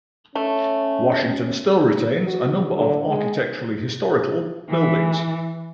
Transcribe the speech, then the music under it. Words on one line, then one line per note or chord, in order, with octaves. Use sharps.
Washington still retains a number of architecturally historical buildings.
A3 C#4
F#4
D3
G#3
E3